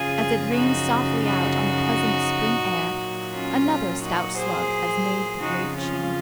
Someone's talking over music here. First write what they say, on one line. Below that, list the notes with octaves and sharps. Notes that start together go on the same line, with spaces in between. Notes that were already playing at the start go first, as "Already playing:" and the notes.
As it rings softly out on the pleasant spring air, another stout slug has made the Great Change.
Already playing: F#2 C#3 F3 F4 G#4
D#4 F#4
D#4 F#4
A#2 F#3
C#4 F4
D#4 F#4
G#4 C5
F2 C#3 F3 D#4 F#4
C#4 F4